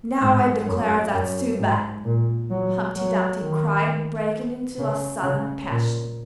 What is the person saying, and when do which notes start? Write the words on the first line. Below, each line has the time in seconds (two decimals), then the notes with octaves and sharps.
'Now I declare that's too bad!' Humpty Dumpty cried, breaking into a sudden passion.
0.22 G#2
0.67 F#2
1.13 F#2
1.59 G#2
2.05 A#2
2.50 F#3
2.95 F#3
3.40 D#3
4.78 C#3
5.24 C#3
5.70 A#2